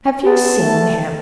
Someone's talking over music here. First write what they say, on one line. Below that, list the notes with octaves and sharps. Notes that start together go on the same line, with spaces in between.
Have you seen him?
B3 A5
A3